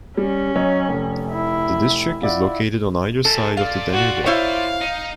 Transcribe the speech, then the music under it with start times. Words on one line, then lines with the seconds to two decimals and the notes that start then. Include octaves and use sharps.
The district is located on either side of the Danube.
0.17 G3 C#4
0.56 F#3 C#5 D#5
0.89 F1
1.32 E4
2.22 E4 F4 D5 F#5
3.25 F#2 A4
3.57 F4 D5 F5
3.94 F#4
4.26 E4 C5 C#5 F5
4.81 D#4